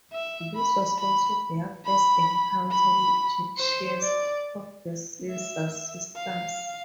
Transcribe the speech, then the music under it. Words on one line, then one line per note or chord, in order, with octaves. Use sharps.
This was also their first encounter with Jake Shears of the Scissor Sisters.
E5
B5
B5
B5
B5
C5
D5
E5
F5